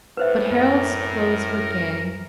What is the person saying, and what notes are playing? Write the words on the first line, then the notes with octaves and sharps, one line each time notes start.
But Harald's clothes were gay.
A2 B4 C5 E5
F#2 A#4